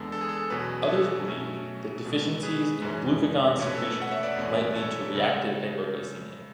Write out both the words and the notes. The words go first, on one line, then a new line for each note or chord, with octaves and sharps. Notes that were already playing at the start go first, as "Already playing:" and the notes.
Others believe deficiencies in glucagon secretion might lead to reactive hypoglycemia.
Already playing: E2 D3 G#3 B3 A4
A4
G#4
A4
E2 B2 F#3 C#4 G#4 B4
G#4
A4
B2 F#3 A3 C#4
B2 G#3 B3
G#4 B4
F#2 E3 G#3 C#4
B2 A3 C#4 C#5
B4
A4 C#5
F#5
C#5 E5
B4 D5
E2 B2 A3 C#4
A4 C#5
C#3 G#3